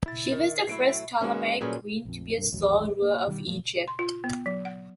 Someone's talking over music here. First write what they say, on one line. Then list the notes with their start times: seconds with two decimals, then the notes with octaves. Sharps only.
She was the first Ptolemaic queen to be a sole ruler of Egypt.
0.06 E4 A6
0.31 D#3
0.67 F#3 A3 E4 C7 D7
1.21 D#3 G#3 A#3 B3 C#4 F#4
1.61 A#2 F#3 G3 C#4 G#4 B4
2.05 A#1 F2
2.37 C2 G2
2.52 A1 D#2 F#3
3.02 A#3
3.26 B2 D#3 F3 G3
3.46 F2 A#2 F3 A3
3.88 C6
3.99 F4
4.24 B3
4.46 F#3
4.65 F#5